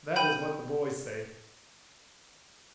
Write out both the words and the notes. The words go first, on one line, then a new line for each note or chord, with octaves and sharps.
That is what the boys say.
G5 B5 G6 D#7